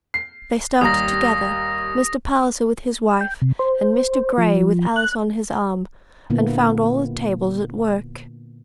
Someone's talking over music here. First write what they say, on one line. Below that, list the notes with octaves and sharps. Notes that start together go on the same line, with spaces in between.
They started together, Mr. Palliser with his wife, and Mr. Grey with Alice on his arm, and found all the tables at work.
C7
D#2 G3 A#5 D#6 A#6
G5
C3
C5
F3
F#6
A#2 D3 A#3 B3 E4